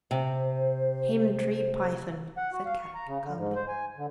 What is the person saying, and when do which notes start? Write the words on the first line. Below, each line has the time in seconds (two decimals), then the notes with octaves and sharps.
"Him tree-python," said Kadok, calmly.
0.11 C3 C5
2.37 F#5
2.53 F#4
2.66 F5
2.82 C#6
2.95 A#5
3.07 C#3
3.24 D3
3.37 G#2
3.55 C5
3.68 G#5
3.97 D3